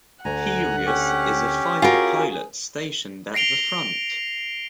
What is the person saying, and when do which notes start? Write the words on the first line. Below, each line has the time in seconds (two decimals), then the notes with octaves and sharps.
Pirius is a fighter pilot stationed at the front.
0.25 D2 F#5 G#5 A#5
0.86 C#4 G4
1.82 F4 F#4 G#4 A#4 F#5 G#5
3.34 A#6 C7 D7 F7 G7